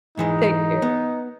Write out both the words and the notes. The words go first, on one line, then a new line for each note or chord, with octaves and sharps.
Take care.
G#2 E3 G#3 D#4
B3